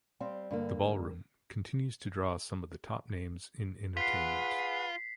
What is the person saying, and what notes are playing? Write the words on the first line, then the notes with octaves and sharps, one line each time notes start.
The Ballroom continues to draw some of the top names in entertainment.
G3 C4 F5
G2 D3 A#3
F4 G#4 B4 F#5 B6 C7